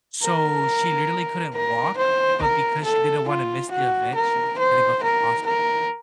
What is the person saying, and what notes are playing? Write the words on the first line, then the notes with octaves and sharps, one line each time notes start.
so she literally couldn't walk, but because she didn't wanna miss the event, she w didn't go to the hospital yet
A#4
A#4
C5
A#4
A4
F4
F#4
A#4
C5
A#4
A#4